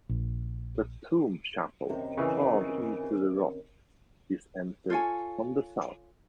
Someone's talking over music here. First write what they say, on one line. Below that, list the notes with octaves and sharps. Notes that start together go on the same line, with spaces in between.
The tomb chapel carved into the rock is entered from the south.
A#1
F#2 C3 D#3
C#3 E3
F4 A4 C#5 G#5